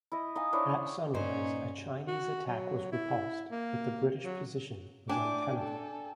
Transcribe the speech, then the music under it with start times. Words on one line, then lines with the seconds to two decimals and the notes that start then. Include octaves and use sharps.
At sunrise a Chinese attack was repulsed, but the British position was untenable.
0.12 E4 D#5
0.35 D#4 D#5 F5 G#5
0.53 D4 E4 C5 C#5
1.14 G2 A#2 C#4 D#4 C5
2.08 F#4
2.46 F#3
2.92 E4
3.51 A#3
4.24 F#3
5.09 A2 D4 D5 G5 G#5 D6
5.59 A4